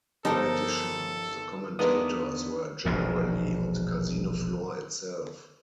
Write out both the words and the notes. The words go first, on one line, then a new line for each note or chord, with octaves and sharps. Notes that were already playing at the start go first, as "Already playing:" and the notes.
In addition, the commentators were generally on the casino floor itself.
G1 F3 D#4 G4 A4 A#4 C5 A5
E2 G#3 A#3 B3 D4 D#4 D#6
E1 A#1 D#2